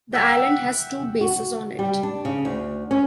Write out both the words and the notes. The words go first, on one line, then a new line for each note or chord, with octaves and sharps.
The Island has two bases on it.
E5 F#5 G5
F#4
G3
D4
C#3
D2
C#4